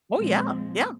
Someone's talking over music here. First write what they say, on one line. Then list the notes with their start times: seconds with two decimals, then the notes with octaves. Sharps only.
Oh, yeah, yeah.
0.14 A#2 F3 G#3 C4